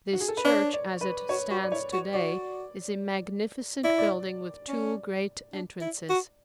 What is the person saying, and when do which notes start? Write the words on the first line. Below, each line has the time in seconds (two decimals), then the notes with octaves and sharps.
This church as it stands today is a magnificent building with two great entrances.
0.13 F#4
0.20 G#4
0.28 A4
0.37 B4
0.44 D4 C#5
0.73 D5
1.01 B4
1.29 F#4 C#5
1.51 F#4
1.63 D5
1.71 E4 C#5
1.93 F#4
2.14 F#4 D5
3.84 E4 D5
3.98 D5
4.68 C#4
5.53 D4
5.81 E4
6.10 F#4